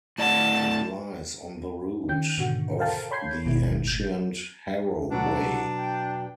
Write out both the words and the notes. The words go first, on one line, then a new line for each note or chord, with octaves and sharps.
It lies on the route of the ancient Harrow Way.
A2 D5 F#5 A5
D#3 C#4 G5 G6
G#2 B2 D3 D#3 F#4
A4 A#4 C5 F5 G5 A5
C#5 B5 C6 G6 G#6 C7
G1 D#2 B2 D#3 G#3 E4
G1 A2 G6
B2 F#3 D4 F#4 A4 B4 F#5
G5